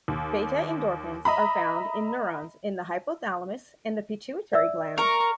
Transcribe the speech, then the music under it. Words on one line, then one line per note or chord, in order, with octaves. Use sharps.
Beta-endorphins are found in neurons in the hypothalamus and the pituitary gland.
D#2
D#5 E5 A#5 B5
D5 E5 E6
A#4 C#6